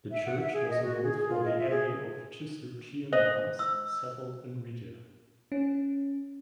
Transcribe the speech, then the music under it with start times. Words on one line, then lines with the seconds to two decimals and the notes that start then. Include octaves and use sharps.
The church was built for the abbey of Cistercian nuns settled in Riga.
0.11 E5
0.26 F#5
0.40 E5
0.53 G#4
0.70 D#5
0.83 F#4
1.03 G#4
1.16 G#4
1.29 F4
1.45 D#5
1.58 E5
1.70 G#4
3.13 C5 D#5
3.59 E6
5.52 C#4